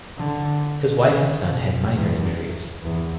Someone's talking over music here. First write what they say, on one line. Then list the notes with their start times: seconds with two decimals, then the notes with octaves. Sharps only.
His wife and son had minor injuries.
0.17 D3
1.05 C#3
1.50 B2
1.94 E2
2.82 E2